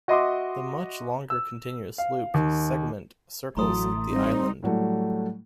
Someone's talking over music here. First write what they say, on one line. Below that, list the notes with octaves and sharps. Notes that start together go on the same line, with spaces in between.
The much longer continuous loop segment circles the island.
F#4 D#5 E5 C6 D6 D#6
E6
F5
D#2
A1 A2 F#3 A3 A#5 C6 D#6
G3 C4 D#4
A2 F#3 G3 A3